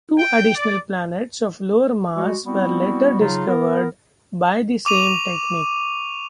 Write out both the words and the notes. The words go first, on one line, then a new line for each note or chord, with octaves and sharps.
Two additional planets of lower mass were later discovered by the same technique.
G5
D5
G3 G#3 F#4
G3 B3 C4 E4 F#4
C#3 F#3 D#4 F4
B3 A#4
C#6 D6 D#7 F7